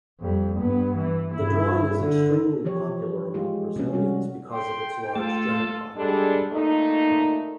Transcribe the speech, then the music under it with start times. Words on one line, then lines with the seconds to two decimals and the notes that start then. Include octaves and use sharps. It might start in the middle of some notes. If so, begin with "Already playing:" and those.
The drawing is extremely popular among Brazilians because of its large jackpot.
0.20 F2 G3
0.59 G2 B3
0.96 E3
1.34 G2 E4
1.99 D3
2.65 E3 F3 G4 C#5
3.34 G#3 F4 G4
3.76 C3 C#4
3.93 G3 F#4
4.52 G5 C6
5.16 A3 F4 A4
5.97 G3 G#3 D4 G#4 A4
6.52 A#2 A3 D#4